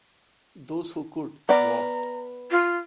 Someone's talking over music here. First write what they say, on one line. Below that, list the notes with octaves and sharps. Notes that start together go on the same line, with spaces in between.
Those who could, walked.
B3 D5 A#5
F4